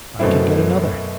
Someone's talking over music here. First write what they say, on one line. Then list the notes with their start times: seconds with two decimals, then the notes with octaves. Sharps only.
'I can get another.
0.18 F#2 B2 A3 C4 E4